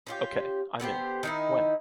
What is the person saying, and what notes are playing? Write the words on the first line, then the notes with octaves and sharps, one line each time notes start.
Ok, I’m in. When?
C#4 F4 G4
D3 B3 G4 C5
D#3 D#4 E4